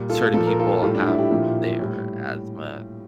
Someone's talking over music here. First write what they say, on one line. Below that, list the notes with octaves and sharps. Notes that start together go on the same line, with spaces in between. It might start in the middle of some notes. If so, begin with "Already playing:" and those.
certain people have their asthma
Already playing: A#2 G3
F4 A4
A#2 F3 A4
A#4
F4 A4
A2 G3 F4 A4
D4
E4
E4 G4
A#2 F3
A2 G3